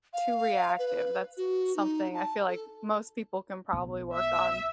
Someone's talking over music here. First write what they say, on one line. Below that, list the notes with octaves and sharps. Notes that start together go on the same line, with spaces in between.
too reactive. That's something I feel like most people can probably work on.
F5
B4
F#4
D#4
A5
A4
B1
E5